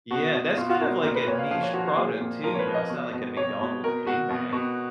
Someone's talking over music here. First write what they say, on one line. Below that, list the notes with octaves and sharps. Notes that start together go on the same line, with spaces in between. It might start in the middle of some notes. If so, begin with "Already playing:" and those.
yeah, that's kind of like a niche product too, you know? It's not like a McDonald’s Big Mac.
B2 F#4
B2
B2 F4
F#4
B2 A#4
A#2 A#4
B4
A#2 C#5
F5
F3 F5
C#5
F3 F#4
F#4
A#2 G#4
A#2
F3 A#4
C#5
B4
F3
D#5
B2
B2
B2 C#5
B2
B2 A#4
B2 F#4
B2
B2